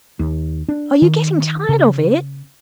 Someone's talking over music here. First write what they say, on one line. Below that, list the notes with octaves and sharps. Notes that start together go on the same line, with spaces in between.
Are you getting tired of it?'
D#2
D4
D#3
C#3